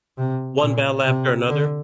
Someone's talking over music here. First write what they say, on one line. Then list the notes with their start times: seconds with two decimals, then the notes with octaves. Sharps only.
One Battle After Another?
0.18 C3
0.61 A#2
1.06 C3
1.48 D3